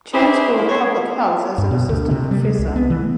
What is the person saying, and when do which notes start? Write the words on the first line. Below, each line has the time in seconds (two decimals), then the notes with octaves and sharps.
Chan School of Public Health as an Assistant professor.
0.13 D#4 E4 G4 G#4 B4 C5
0.57 E3 A#3
0.69 A3 C4 C5 C#5
1.58 G2
1.71 B2
1.89 D2
2.11 C3
2.31 G3
2.43 G#3
2.59 C2
2.76 B3
2.90 E3
3.04 A3